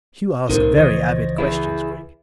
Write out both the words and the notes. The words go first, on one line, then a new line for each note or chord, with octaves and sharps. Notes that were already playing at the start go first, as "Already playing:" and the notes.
"You ask very avid questions, Gregg!"
C2 A2 G3 D#4 A#4 C5
C#2 E3 F3 C5 C#5 D#5
E4 G#4 B4